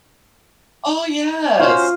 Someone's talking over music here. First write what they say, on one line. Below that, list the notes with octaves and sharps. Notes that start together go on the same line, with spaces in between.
Oh, yes.
C#4 F4 F#4 C5